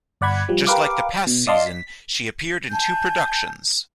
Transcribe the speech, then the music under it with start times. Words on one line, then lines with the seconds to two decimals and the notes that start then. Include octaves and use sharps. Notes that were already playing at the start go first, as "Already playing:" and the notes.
Just like the past season, she appeared in two productions.
0.21 G1 D5 F#5 B5 G#6
0.49 F3 G3
0.67 G4 A#4 B4 F5 D6
1.27 B2
1.47 D5 D#5 F5 A5 C6
1.66 B6
2.71 G#5 A5 G6